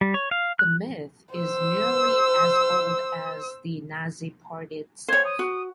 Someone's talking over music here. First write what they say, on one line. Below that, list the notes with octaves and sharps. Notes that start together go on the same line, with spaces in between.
The myth is nearly as old as the Nazi party itself.
G3
C#5
F5
F#6
C5 E6
C5 C#5 G#6
D#6
F#4